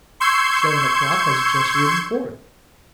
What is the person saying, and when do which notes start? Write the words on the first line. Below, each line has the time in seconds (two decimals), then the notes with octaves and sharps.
Seven O'clock has just ridden forth.
0.20 C6 C#6 E6 G6 G#6 C7